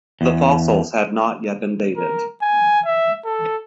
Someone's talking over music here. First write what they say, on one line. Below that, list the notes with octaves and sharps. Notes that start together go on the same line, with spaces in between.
The fossils have not yet been dated.
E2
A#4
G#5
E5
A4